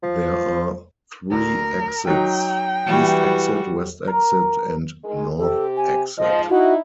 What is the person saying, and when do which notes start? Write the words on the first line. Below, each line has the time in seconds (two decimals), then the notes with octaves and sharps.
There are three exits: East exit, West exit, and North exit.
0.03 F3
1.31 D2 A#4
2.07 F#3 D#4 G5
2.86 E3 G3 F#4
4.07 A#4
5.04 D#3 G#3
5.39 C3 G4 A4
5.77 G#5
6.18 G#2 F3 D#5
6.50 D#4 E4 F#4